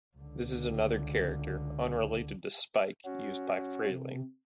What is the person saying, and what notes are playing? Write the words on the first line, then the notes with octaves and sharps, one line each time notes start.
This is another character, unrelated to Spike used by Freleng.
C#2 D3
C#4 F#4
C3